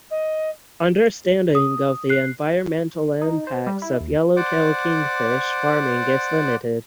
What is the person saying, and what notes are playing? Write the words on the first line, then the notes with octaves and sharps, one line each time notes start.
Understanding of the environmental impacts of yellowtail kingfish farming is limited.
D#5
D#6
F#6 C7
D#4
C5
G3
E4
D#2
C5 D5 F#5 D6